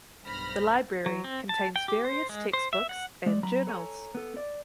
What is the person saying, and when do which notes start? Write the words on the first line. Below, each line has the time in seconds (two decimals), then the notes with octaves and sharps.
The library contains various textbooks and journals.
0.24 B1 G2 C5 B5 F6 A#6
1.06 F#3
1.24 C4
1.49 A5
1.76 G5
1.88 G4
2.05 C5
2.29 G#3
2.53 C5
2.73 E5
2.89 F#5
3.26 G#3 D5
3.43 F#3 A#5 B5
3.67 A4 C#5 G#5 A#5
4.15 B3 A4
4.37 D5